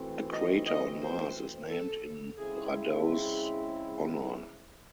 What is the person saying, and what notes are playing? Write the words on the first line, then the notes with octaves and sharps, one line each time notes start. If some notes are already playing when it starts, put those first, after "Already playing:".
A crater on Mars is named in Radau's honor.
Already playing: E3 A3 C4 F#4
D#5
D#5
C5
A4
C#3 G#3 C4 E4 G#4